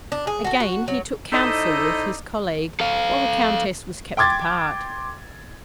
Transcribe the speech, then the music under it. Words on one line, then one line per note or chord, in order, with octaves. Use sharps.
Again he took counsel with his colleague, while the Countess was kept apart.
D4
G#4
F#4 A4
F#4
F#3
D#4 E4 A4 C5 D5 D#5
A4 F5
G5 C6 D6 G#6 A6